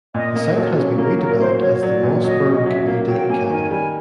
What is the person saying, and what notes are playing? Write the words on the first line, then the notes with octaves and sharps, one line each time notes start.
The site has been redeveloped as the Mossbourne Community Academy.
A#2 D#5
A#3 D#5
F#3 A4
C#4
A#3 A#4
F#3 A#4
A#3 C5
F#3 C#5
F#3 D5
A#2
F#3 D#5
C#4
D#5
F#3 E5
A#3 F5
F#3 G5
A#3 G#5
D#3 G#5
G3 G#5